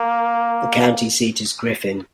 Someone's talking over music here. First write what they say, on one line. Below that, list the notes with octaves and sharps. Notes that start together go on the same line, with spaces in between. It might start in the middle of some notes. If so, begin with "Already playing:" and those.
The county seat is Griffin.
Already playing: A#3